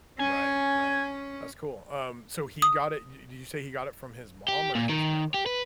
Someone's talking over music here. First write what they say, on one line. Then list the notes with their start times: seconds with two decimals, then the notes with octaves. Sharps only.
Right, right, that's cool. Um, so, he got it di did you say he got it from his mom or his grandma?
0.19 C#4 G#5
2.62 D#6
4.48 G4
4.75 A#2
4.89 D#3
5.34 G4
5.46 B4